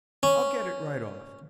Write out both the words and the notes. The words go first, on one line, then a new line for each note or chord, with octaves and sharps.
I'll get it right off.
C#4